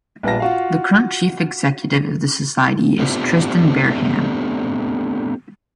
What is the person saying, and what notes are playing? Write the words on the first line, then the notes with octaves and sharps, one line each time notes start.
The current chief executive of the society is Tristan Bareham.
A#1 G3 B3 F4 A5 A#6
F4 F#4 F5
A3 B3 C4 D4 F4 G4